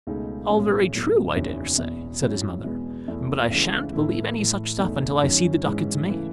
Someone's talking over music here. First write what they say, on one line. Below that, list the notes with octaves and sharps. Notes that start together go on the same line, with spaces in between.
'All very true, I daresay', said his mother; 'but I shan't believe any such stuff until I see the ducats made.'
C#2 B2 A3 D#4 G#4
B1 A2 G#3 C#4
B1 A2 F#3
F#1 E2 D#3 F#3 C#4
E1 E2 B2
G#1 G#2 F#3 C#4 E4
E2 B2 G#3 B3
E2 B2 A3 E4
C#2 C#3 E3 A3 C#4
A2 E3 A3 E4
A2 E3 A3
E2 B2 A3 D#4
F#2 D#3 F#3 C#4
G#2 E3 G#3 C#4
C#3 E3 A3